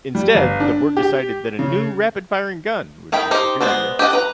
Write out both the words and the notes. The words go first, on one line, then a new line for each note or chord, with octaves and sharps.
Instead, the board decided that a new rapid-firing gun would be superior.
G3
G1
D4
G4
C#3
D#3 D#4 E4 G5 B5
D#4 G4 C5
G#3 B3 C4 C5 D5
G4 A4 D#5 F#5
B4 A#5